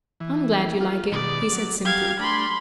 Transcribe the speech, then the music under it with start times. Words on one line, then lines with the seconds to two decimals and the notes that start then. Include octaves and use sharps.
"I am glad you like it," he said simply.
0.20 E3
0.81 F4
1.12 B2 D#3 D5
1.52 F#3
1.85 F#3 G3 G4 F5 G#6
2.19 A3 D4 B5 C6